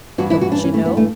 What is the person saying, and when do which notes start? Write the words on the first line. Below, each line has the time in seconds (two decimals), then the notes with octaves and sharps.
Don't you know?
0.18 G2 E3 F#4
0.30 E4
0.41 F#4
0.52 D4
0.64 C#4
0.74 A3
0.86 B3
0.97 A3